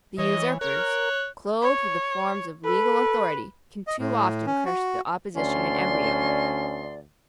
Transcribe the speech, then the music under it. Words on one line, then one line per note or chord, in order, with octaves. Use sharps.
The usurpers, clothed with the forms of legal authority, can too often crush the opposition in embryo.
E3 C#5 D#5
A#4 C#5 F#6
C#5
A4 B4
D#5
A2
C#4
F#4
D2 C#4 D5 C6